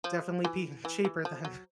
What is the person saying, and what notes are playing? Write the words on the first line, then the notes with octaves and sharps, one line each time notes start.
definitely be cheaper than
F3
E3
E3
E3
F3
F#3